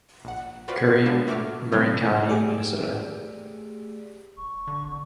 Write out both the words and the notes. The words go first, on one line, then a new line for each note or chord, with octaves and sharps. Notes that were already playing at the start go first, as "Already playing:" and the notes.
Currie, Murray County, Minnesota'.
A#1 F#5
F4 F#4 B4 C5 D5 F#5
D3 G#3 A#3 B3 D4
A2 A3 F#4 D6 F6
C#3 E3 G3 C4 D#4 F4
A3 G4 G#4 D5
D#1 C#6
D3
G#1